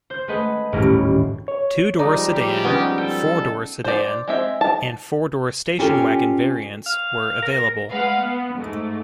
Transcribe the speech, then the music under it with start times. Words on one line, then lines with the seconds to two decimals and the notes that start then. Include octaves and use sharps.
Two-door sedan, four-door sedan, and four-door station wagon variants were available.
0.10 C5 G6
0.28 G#3 A3 G#4 B4 D#5 F#5
0.72 D#1 A1 G#2 G3 C#4 A#4
1.48 C#5
1.99 F3 G3 G#3 D#4 D5 A#5 D6
2.33 G4
2.64 B3 C#4 D#4
2.98 A4 G5
3.84 C5 D5
4.28 G#3 C4 E5
4.61 A5
5.78 C#4 F4 G4 A4 A#4 G#5
6.86 F5
7.42 A#4
7.89 G#3 B4 F5 F#5
8.21 B3
8.57 G#2 A3